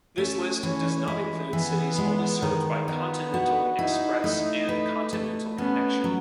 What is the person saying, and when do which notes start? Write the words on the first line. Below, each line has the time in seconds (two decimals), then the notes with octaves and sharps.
This list does not include cities only served by Continental Express and Continental Connection.
0.18 A3 C#4
0.63 E3 C#4
1.07 G#3 E4
1.53 E3 B3
1.98 G#3
2.42 D#3
2.88 B3 D#4
3.34 F#4
3.79 D#4 E4
4.24 A3
4.69 B4
5.13 A3
5.58 B3 C#4
6.04 F#3